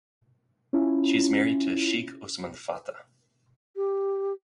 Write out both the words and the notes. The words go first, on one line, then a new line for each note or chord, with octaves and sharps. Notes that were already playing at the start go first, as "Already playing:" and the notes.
She is married to Sheikh Usman Fateh.
C#4 E4 F4
G4